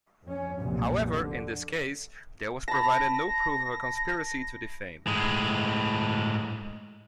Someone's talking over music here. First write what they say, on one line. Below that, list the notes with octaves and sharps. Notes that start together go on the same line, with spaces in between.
However, in this case, there was provided no proof of a conspiracy to defame.
F2 C#4
F1 B1 A#2
D3
A5 B5 A#6
A2 G#3